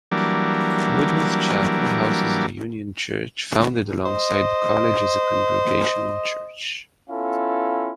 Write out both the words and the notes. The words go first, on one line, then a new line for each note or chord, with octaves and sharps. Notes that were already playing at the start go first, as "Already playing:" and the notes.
Woodworth Chapel houses the Union Church, founded alongside the college as a Congregational Church.
E3 F#3 G3 A#3 D4
C5 D#5
B3 C#4 E4 F4 A4 F5